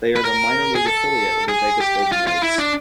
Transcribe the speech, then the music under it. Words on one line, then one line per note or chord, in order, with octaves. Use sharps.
They are the minor league affiliate of the Vegas Golden Knights.
B4
A#4
G#4
A4
G#4
G4
F4
F4
E4
D4